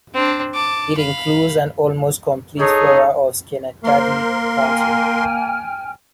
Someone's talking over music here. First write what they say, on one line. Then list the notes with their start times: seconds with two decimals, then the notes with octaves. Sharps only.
It includes an almost complete flora of Schenectady County.
0.14 C4 D4
0.54 A5 D6
0.97 F5 B5
2.59 D#4 G#4 A4 C#5
3.84 A#3 A#4 C5 C6
4.58 G5 G#5 F6